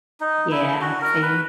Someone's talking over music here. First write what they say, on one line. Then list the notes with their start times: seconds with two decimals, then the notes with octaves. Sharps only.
Yeah, same.
0.21 D#4
0.51 E4
0.81 F#4
1.02 A#4
1.22 B4